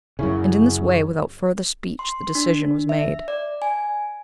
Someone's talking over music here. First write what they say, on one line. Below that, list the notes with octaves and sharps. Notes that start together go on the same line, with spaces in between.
And in this way, without further speech, the decision was made.
F#2 C#3 C#4 E4
C6
D4
E5
D5
G#5